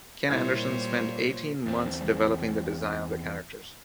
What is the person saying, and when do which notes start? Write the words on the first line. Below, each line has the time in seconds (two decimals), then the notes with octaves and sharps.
Ken Anderson spent eighteen months developing the design of the characters.
0.29 A#2 G3 E4 C5 C#5 G#6 A6
1.66 E2 C4